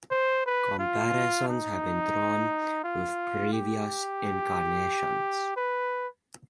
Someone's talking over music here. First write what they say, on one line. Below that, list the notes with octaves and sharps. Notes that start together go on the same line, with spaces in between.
Comparisons have been drawn with previous incarnations.
C5
B4
F4
D#4
F4
G4
B4